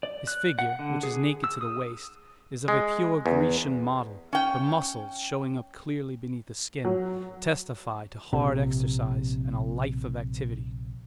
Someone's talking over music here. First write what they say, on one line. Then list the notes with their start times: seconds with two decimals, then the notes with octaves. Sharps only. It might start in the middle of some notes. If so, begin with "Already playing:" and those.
His figure, which is naked to the waist, is of a pure Grecian model, the muscles, showing up clearly beneath the skin, testify to hard exercise and a life of activity.
0.03 D5
0.27 F#6
0.59 F#5
0.79 D3
1.03 G#4
1.44 E6
1.61 D#6
2.68 G#3
3.26 E2
4.33 C#4 G5
6.85 F#3
8.33 A#1 C3